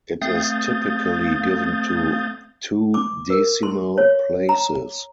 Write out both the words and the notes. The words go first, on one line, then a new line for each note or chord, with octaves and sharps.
It is typically given to two decimal places.
A3 C4 F5 D#6 G6 A6
D6
A#4
C6
C#5
A#5